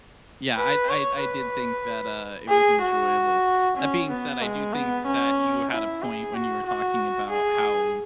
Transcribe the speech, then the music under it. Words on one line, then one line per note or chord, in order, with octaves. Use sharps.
yeah, I I I did think that, uh, it was enjoyable. That being said, I do think that you had a point when you were talking about how d
B4
C#5
B4
G#4
F#4
C#4
B3
G#3
B3
C#4
E4
G#4
F#4
F#4
G#4